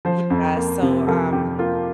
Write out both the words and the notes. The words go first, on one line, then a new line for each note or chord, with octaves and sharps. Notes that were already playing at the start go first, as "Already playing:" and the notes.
yeah. So, um
F3 C5
F2
A#3
C3
F3 A#4
F2 G4
A#3 F4